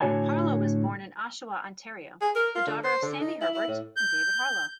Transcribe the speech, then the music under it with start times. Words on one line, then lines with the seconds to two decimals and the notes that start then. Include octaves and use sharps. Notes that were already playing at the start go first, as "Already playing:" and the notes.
Harlow was born in Oshawa, Ontario, the daughter of Sandi Herbert and David Harlow.
0.01 A2 D3 F#4 C#5 G#5 A5
2.21 G#4
2.35 A#4
2.55 F4
2.67 D3
2.84 C5
3.03 D3
3.21 D#4
3.41 E4
3.54 E4
3.68 A2
3.97 G6